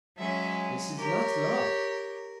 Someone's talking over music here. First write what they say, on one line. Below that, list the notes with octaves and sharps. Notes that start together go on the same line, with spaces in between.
This is not love.
F#3 G#3 C#4 E5
G4 A#4 C#5